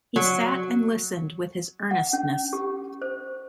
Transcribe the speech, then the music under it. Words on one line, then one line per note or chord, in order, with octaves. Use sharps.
He sat and listened with his earnestness.
F#3
F#5
C#4
G4
C5